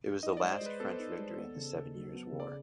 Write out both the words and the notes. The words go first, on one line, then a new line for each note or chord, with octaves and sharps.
It was the last French victory in the Seven Years' War.
D#4 D#5
G#3 D5
C5
G#3
B4
B3 A4
D#4
G#3
B3
C#3
C#3
F#3
B3
C#3
D5